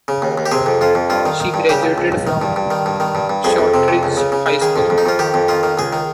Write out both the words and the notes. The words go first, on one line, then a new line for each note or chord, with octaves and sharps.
She graduated from Shortridge High School.
C#3
D#2
D#2
G4
C3 G#4
F2
F2 F4
F2
G2 F4
D#3
D#3
G2
C#3 G4
C#2
C#2
C#2
D#3
G2
G2
D#3
G2
D#3
G2
G2
F2 G#4
F2
C3
F2
C#2
C#3
C#3
C#3
D#3 G#4
F2
F2
D#4
F2 F4
D#3 G4
F2
D#3 F4
D#3
C#2 G#4
D#3